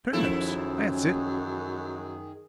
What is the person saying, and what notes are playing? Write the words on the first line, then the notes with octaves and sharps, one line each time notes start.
Turnips! that's it!
F#2 D#3 F3 C#4 E4 G#4 A4